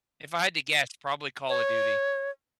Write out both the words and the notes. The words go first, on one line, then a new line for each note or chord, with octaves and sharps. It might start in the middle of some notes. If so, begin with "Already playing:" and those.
If I had to guess, probably Call of Duty.
C#5